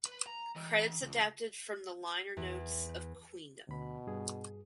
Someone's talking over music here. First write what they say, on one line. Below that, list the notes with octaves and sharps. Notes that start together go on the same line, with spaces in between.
Credits adapted from the liner notes of "Queendom".
B4
A#5
E3 D#5
C#2
E2
D2 B2 B5
G2 G#4